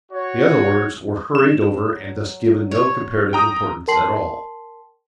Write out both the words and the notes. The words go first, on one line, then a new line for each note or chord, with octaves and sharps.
The other words were hurried over and thus given no comparative importance at all.
F#4 C#5
F#3 E7
C#5
G5 A#5 D#6
A#4 G5 A5 C6 C7 F#7